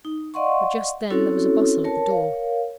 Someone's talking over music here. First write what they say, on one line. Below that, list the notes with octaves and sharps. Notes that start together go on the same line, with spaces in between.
But just then there was a bustle at the door.
D#4
D5 D#5 F5 F#5 C6 C#6
C4 C#4 E4 F#4 A4 C#5
A#4 C#5 A5
A#4 C#5 F5